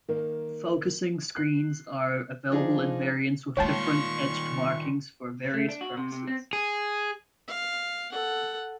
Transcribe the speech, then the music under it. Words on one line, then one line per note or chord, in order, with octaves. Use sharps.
Often, focusing screens are available in variants with different etched markings for various purposes.
D#3 A#3
F#6 C7
F3 D4 D#4 G#4
D#3 G#3 A#3 F4 C#5 G5 A5 C#6
A3
D4
F#4
C3
C3
C4
G#4
F5
A4 F#5